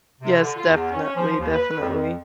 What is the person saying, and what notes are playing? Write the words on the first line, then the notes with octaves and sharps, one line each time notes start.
Yes, definitely, definitely.
C3
D3
F4
E2
C#4
C#4
F3
D#2
B4
F2
F2